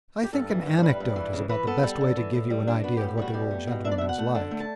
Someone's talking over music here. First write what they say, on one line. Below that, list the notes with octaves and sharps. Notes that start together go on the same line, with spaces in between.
I think an anecdote is about the best way to give you an idea of what the old gentleman was like.
G4
G2 A4
E3
G2
C#5
G3 B4
G2
E3
C#3
E3 B4
B3 A4
G3 A4
C#3
E3
A2
G3
D4
B3 F#4
G4
A2
G4
G3 F#4
B2 G4
A3
B2
D4 E5
D5
B2 E5
F#5
A3
D3 A5
A3
A5